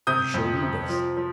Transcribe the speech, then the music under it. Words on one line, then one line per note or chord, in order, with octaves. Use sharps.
You shall lead us.
C3 D#6 G6
F2
C3
F3
F3